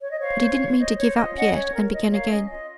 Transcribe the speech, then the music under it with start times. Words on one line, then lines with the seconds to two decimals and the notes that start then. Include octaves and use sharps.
But he didn't mean to give up yet, and began again.
0.01 C#5
0.10 D#5
0.21 C5 C#5 F5
0.41 C5
0.59 F4
0.78 C5 D#5
0.97 C5 C#5
1.17 F4 D#5
1.35 C#4 D#5 F#5
1.54 C#4 C#5
1.73 A#4
1.93 F4 D#5
2.06 D#5
2.11 A#4 C#5 F5
2.31 C#4 D#5
2.50 F4 D#5